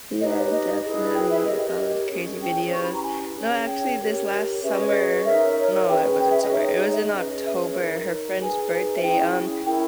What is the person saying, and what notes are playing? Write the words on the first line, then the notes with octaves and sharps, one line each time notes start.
Yeah, definitely with all those crazy videos. No, actually, this last summer- no it wasn't summer, it was in October- her friend's birthday, um
D#4 G4 B4 D#5
C#5
D#5
E4 G#4 B4
G5
E5
G4 A#4 C#5 D#5
C#4 G#4 C#5
G5
C#4 E4 G4 B4 C#6
B5
A#5
G#5
C#4 G#4 C#5
G5
G4 A#4 C#5
C#4 G#4 B4 E5
D#5
C#5
D#5
D#4 A#4 C#5 E5
C#4 G#4 B4 G5
G5
E5
D#5
D#4 G#4 C#5 E5
D#5
E5
D#5
C#4 G#4 B4
E5
C#5
D#4 A#4 C#5
D#4 G#4 B4 G#5
E5
C#4 E4 G#4 G5
C#4 E4 A#4 G5